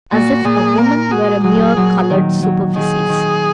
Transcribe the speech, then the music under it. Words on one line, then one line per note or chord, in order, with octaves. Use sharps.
As if a woman were a mere colored superficies!
A#2 F#4
A#2 G#4
A#3 A#4
F#4 G#4
F#3 G#4
F#3
D#3
F#3
D#3 G#4
D#3